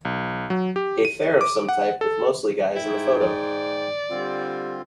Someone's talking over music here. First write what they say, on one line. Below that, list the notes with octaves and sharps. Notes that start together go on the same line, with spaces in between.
A fair of some type with mostly guys in the photo.
B1
F#3
G4
D#7
D6
F#5
A4
G#2 E4 G5
D5
D3 G3 C4 F4